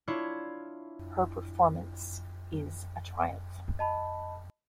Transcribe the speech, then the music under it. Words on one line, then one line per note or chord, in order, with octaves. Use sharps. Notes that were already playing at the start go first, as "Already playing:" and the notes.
Her performance is a triumph.
D4 E4 F4 C#5
D#5 A5 B5